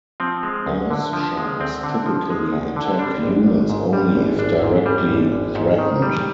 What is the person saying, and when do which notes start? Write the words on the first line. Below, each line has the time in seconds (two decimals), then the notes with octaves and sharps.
Nurse sharks typically attack humans only if directly threatened.
0.20 F3 C4
0.43 G#3
0.66 D2
0.91 D3
1.13 F3
1.37 G#3
1.60 D2 C4
1.83 D3
2.06 F3
2.30 G#3
2.52 D2
2.76 D3
2.99 G3 D4
3.23 G#1
3.46 G#1
3.70 G#2
3.93 G3
4.15 G#1
4.39 G#1 D4
4.63 G#2
4.86 G3
5.09 G#1
5.32 G#1
5.55 G#2
5.78 D#3
6.02 G3